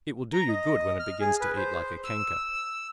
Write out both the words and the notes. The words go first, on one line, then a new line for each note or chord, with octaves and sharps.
It will do you good when it begins to eat like a canker!
A#5
D#5
F6
G#4
B4
C5
E6